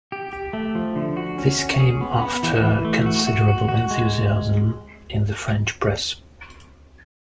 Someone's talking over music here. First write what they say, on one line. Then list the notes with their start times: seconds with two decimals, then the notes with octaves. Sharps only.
This came after considerable enthusiasm in the French press.
0.12 G4
0.33 G4
0.53 A3
0.75 F3
0.96 D3
1.17 F#4
1.38 C#4
1.59 C#4
1.80 G#4
2.01 B3
2.22 B3
2.43 E3
2.64 E3
2.85 A3
3.06 F#4
3.27 F#4
3.48 F#4
3.69 F#4
3.91 G#3